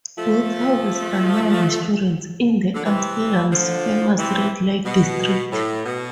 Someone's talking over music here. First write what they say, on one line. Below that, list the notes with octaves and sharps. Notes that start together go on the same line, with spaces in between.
Both houses are now restaurants in Amsterdam's famous red light district.
F3 A3
D3
C3 E3
D3 F3
C3 E3
B2
A2
B2